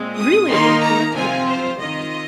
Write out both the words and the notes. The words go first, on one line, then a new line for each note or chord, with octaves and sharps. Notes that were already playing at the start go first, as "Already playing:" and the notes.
Really? Well, that's not a bad thing to look like.
Already playing: A#2 G#3 C4
D#6
D#3 A#3 D#4 C6
A#5
C3 F3 C4 F4 G#5
C5
D#3 C4 F4 D#5